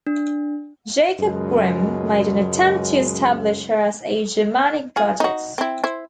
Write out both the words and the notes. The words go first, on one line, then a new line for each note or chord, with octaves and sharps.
Jacob Grimm made an attempt to establish her as a Germanic goddess.
D4
C#2 F#2 B2 G#3
F4 G#4
D#4 F#4
C4 E4
E4 C5